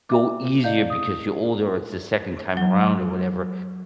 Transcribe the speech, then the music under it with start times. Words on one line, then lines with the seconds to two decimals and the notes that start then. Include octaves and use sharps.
go easier, because you're older, or it's the second time around, or whatever.
0.09 E5 D6
0.64 E4 D5 D#5 F5 G6
0.90 D#6
2.57 F#3